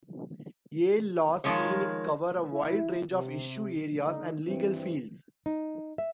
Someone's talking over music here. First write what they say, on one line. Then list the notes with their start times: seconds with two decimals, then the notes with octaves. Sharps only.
Yale Law's clinics cover a wide range of issue areas and legal fields.
1.44 D#3 F3 G#3 C#5
2.51 E4
3.10 C3
4.02 D3 D#4
4.46 G2 E3 C4
5.46 D#4
5.98 E5